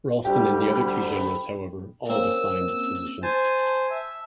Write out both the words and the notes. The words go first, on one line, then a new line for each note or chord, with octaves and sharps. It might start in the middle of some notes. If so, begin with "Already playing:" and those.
Ralston and the two other generals, however, all declined this position.
D2 G3 G4 G5
B5
A#3 C4 C#4 E6
C5 G#5 A5
E5